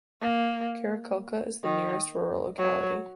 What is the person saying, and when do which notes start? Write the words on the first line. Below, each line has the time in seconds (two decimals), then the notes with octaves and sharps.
Karakulka is the nearest rural locality.
0.21 A#3
1.63 D#3
2.58 F#3